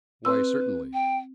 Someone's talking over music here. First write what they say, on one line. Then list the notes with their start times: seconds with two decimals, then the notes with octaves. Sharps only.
"Why, certainly."
0.25 C4 B4 E6
0.93 G5